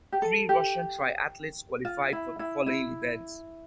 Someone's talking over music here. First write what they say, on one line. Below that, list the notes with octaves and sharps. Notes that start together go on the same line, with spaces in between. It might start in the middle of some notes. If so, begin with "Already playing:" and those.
Three Russian triathletes qualified for the following events.
G4
A4
G4
F4
E4
E4
E4